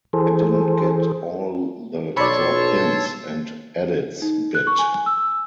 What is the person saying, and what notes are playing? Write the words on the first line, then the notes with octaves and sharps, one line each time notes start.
I didn't get all the 'drop-ins' and 'edits' bit.
E3 G#4 A4 C5
B1 C#5 D5 A5 B5 C6 E6
D#4
F#6
C#6
G#5
E6